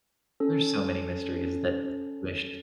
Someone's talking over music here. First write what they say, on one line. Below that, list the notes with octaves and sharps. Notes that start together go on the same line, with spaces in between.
There's so many mysteries that I wish
C#4 A4